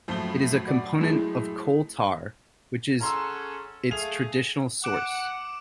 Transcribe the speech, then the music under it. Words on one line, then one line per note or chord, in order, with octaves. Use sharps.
It is a component of coal tar, which is its traditional source.
F#2 A2 F3 A3 G7
F#4 D5
G#3 A3 E4
C#4 G#4 A4 F#5 A#5 C6 E6
A3 G#4 F5 F7
F#5 D6 D7 E7